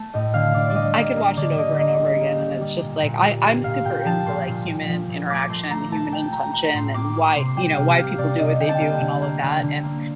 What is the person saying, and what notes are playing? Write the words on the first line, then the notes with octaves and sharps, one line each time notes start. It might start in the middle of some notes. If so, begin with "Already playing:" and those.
y I could watch it over and over again, and it's just like, I I'm super into, like, human interaction, human intention, and why, you know, why people do what they do and all of that. And
Already playing: A3 A5
A2 D#5
D3 F5
D3 D5
D5
G3 D#5
A#3 D#5
A#3 D#5
D3 D5
D3 D#5
A#3 D#5
G3
A#3
G3
G3
A#2
A#2
G3
A#3
A#2 F5
A#2 G5
F3 A5
A#2 C6
A#2
A#2
F3
A#2
A3 D6
A3 C6
A3 A#5
A3 A5
A3 G5
A3 A#5
A3 A#5
A2 C6
A#3 D6
A#3 D6
C3 C6
G3 G5
C3 F5
A#3 F5
C3 D5
C3 D#5
D3 G5
A5
A#3 G5
D3
A#3
D3
D3
A#3